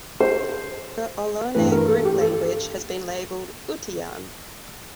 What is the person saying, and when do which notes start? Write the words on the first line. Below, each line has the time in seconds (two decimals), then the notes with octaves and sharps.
The "Ohlone" group language has been labeled Utian.
0.20 C5
1.55 G2 E3 A3 B4
1.72 A#4
1.88 A4
2.05 G4
2.21 A4